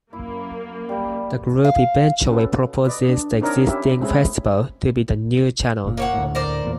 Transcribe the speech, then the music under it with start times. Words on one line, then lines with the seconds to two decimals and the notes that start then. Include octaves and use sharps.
The group eventually proposes the existing "Festival" to be the "new" channel.
0.13 F#2 A#3 E4
0.89 G3 F5 G5
1.64 F5
2.30 C#4 F#4 A4 B4
2.85 B4 D5 D#5
3.09 D4
3.41 C4 D4 D#4 A#4 C#5 D#5
3.67 C#4 E4 G4 E5
4.00 G#3 A3 C4 C#4 E4 G#4
5.85 F#1 A#2
5.97 A#3 C#5 F#5
6.14 D2 A2
6.35 A#4 C5 D5
6.65 E2 A#2